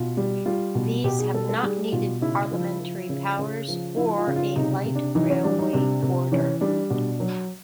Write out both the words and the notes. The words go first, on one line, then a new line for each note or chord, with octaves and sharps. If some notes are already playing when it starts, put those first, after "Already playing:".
These have not needed parliamentary powers or a light railway order.
Already playing: B2 F4
G3
G3 F4
B2
B2 G4
G#4
G3 A4
A4
G3 G#4
B2 F4
C#3 E4
F3
F3
C#3
C#3
F3
F3 E4
F4
C#3
F4
C3 D#4
C3
D4
E3 D#4
C#4
G3 D4
D#4
C3 D4
C3
E3 C#4
G3 D4
B2 D4
F#3